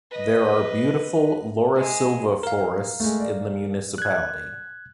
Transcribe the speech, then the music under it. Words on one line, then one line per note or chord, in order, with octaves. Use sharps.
There are beautiful "laurisilva" forests in the municipality.
B4 D#5
G#3
A#4 F5
G#3 A3
D5
F#6 G#6